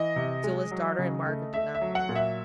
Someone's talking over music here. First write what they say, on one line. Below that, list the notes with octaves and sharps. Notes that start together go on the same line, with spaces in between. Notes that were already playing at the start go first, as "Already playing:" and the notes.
Still his daughter and Margaret did not move.
Already playing: E3 D#5
C3
G#3
F#3
C#3
A3
A3 E5
E5
F#3
F#5
A#2
E5